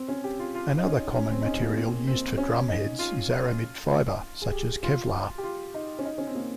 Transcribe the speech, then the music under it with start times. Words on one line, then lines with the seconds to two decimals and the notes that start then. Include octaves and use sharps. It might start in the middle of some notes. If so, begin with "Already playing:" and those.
Another common material used for drumheads is aramid fiber, such as kevlar.
Already playing: C4
0.08 C#4
0.24 G4
0.39 F4
0.55 F4
0.78 D#4
0.85 C#4
1.16 C#4
1.31 C4
1.42 D#4
1.46 C#4
1.61 A#3
1.77 A#3
2.07 C4
2.38 C#4
2.68 D#4
2.99 F4
4.42 G#4
4.52 G4
4.83 F4
5.38 G4
5.43 F4
5.74 D#4
5.99 C#4
6.05 D#4
6.18 C#4
6.27 C4
6.35 A#3